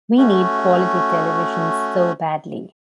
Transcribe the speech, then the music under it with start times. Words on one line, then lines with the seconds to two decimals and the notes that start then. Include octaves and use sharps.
We need quality television so badly.
0.18 A3 C#4 F#4